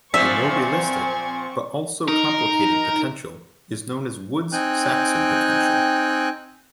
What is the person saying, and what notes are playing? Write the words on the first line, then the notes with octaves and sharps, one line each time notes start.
A more realistic but also complicated potential is known as Woods-Saxon potential.
A#2 F3 C4 C5 E5 G#5 C#6
D#4 A#4
C4 D#4 G5 G#5 F#6